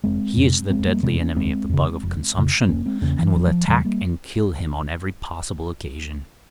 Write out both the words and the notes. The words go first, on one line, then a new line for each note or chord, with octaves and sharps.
He is the deadly enemy of the bug of consumption, and will attack and kill him on every possible occasion.
F1 G#3 C4
F2 C3
F1 G#3 C4
G3 A#3
F2 C3 G#3 C4
A#3 C#4
F1 G#3 C4
F2 C#3
F1
F2 C#3
F1 A#3 C#4
G#3 C4
E2 C#3 A#3 C#4
E3
F1 F3
G3
F3
E2 C#3 E3 G3
G3 A#3